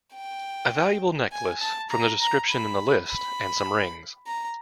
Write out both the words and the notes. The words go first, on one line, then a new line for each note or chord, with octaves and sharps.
A valuable necklace, from the description in the list and some rings.
G5
G#5
A5
A#5
A#5
B5
B5
A#5